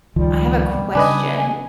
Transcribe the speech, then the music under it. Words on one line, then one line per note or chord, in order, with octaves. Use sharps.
I have a question.
C#2 D#3 F3 G3
C#3 D4 B4 D#5 G#5